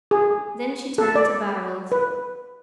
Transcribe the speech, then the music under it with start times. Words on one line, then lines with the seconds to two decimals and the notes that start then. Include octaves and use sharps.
Then she turned to Barold.
0.11 G#4
0.98 A4
1.15 D5
1.92 B4